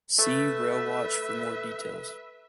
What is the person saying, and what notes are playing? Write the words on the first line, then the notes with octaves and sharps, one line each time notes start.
See Railwatch for more details.
A3 A4 B4 E5